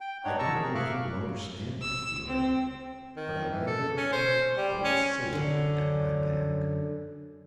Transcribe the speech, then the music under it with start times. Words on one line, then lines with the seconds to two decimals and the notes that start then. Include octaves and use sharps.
I don't know if you will understand my feeling, but I never felt quite safe at my back.
0.01 G5
0.25 D4 D#4 C#5 F#5
0.39 A5 A#5 C#6 E6
0.56 G#4 A#4
0.75 E5 F5 C#6 D6 F6 F#6
1.82 E6
2.27 C4
3.16 D#3
3.50 E3
3.67 A4
3.97 C#4
4.12 C5
4.57 G3
4.84 C#4
5.33 F#2 D3